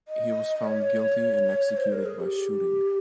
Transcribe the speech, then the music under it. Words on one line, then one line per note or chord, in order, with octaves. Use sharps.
He was found guilty and executed by shooting.
D#5
C#5
C5
A#4
G#4
G4